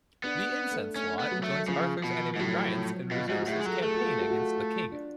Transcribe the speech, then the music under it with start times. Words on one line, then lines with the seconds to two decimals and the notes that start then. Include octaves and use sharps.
The incensed Lot joins Arthur's enemy Rience and resumes his campaign against the king.
0.24 B3 D4
0.71 A3
0.96 A3 C#4
1.20 B3
1.32 F#3
1.44 A3
1.68 C#3 F3
2.04 B2
2.36 G#2
2.39 A2 F#3
3.11 B2 F4
3.29 G#2 F#4
3.42 F#4
3.47 A2 G#4
3.60 G#3
3.66 F#3 A4
3.83 A3 G#4
3.96 F#4
4.02 F4
4.20 F#4
4.30 F#4
4.38 F4
4.56 F4
4.92 D4